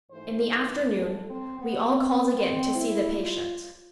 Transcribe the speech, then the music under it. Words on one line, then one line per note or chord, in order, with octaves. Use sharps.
In the afternoon we all called again to see the patient.
G#2 E3 A3 C5
B4
A4
C4
B3
C4
C4
E4
F4